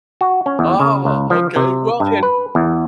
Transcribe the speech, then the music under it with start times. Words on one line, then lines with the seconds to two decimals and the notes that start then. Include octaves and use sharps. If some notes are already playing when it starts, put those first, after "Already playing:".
Oh, okay, well and
0.21 F#4
0.46 C#4
0.59 E2
0.80 C#3
1.05 C#2
1.30 F3
1.56 C3
2.00 G2
2.23 B4
2.55 E2